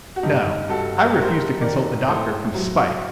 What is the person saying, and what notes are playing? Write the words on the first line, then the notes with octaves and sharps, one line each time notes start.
No, I refuse to consult a doctor from spite.
F#4
G2 D#4 G4
G2 F#4 A4
G3 A#4
C5
G4 A#4
D#3 A#4 D5
A2 A4 C5
F#3